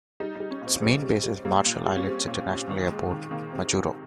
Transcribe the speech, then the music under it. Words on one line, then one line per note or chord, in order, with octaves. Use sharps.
Its main base is Marshall Islands International Airport, Majuro.
G3 D#4
G3 D#4
C#4
A#2
C4
G3 C4
G3
G3
G3 A#3
A#2
G3
C#4
G3 C4
A#2
A#2
D#3
G#3
D#3
D#3 A#3
C3
C3